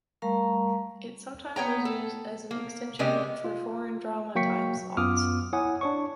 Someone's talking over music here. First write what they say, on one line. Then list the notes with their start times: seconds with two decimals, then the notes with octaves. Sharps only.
It sometimes was used as an extension for foreign drama time slots.
0.22 G3 A3 A#4 F5 A#5 C#6
1.56 B3 C#5 G5 A#5
1.85 A4
2.51 A#3
2.99 C3 G#3 C#4 G4 D5 D#5
3.44 F4
4.35 F#3 A#3 G5 C#6 B6 C#7
4.97 F#2 B3 F4 D6 D#6 F6
5.53 E4 C#5 F#5 G#5 D#6
5.81 D4 C#5 C#6